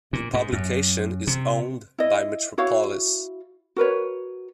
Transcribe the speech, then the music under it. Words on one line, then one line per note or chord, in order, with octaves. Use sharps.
The publication is owned by Metropolis.
A#2
G#2
F#2
C3
E4 D#5
E4 F#4 C#5 F5
F#4 A#4 B4 C#5